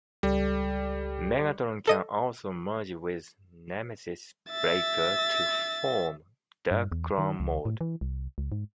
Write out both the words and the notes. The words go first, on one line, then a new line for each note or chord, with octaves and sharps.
Megatron can also merge with Nemesis Breaker to form Dark Claw Mode.
C#2 G3 A4 D5
A4 D#5 D#7
E5 A6
G2
E2
D#3
C#2
A2
E3
C2
C#2
G#2